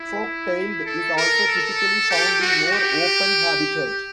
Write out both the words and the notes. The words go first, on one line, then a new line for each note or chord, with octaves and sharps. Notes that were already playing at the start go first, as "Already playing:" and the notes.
Fork-tailed is also typically found in more open habitat.
Already playing: E4
A4
A#4
A4
G4
F#4
G4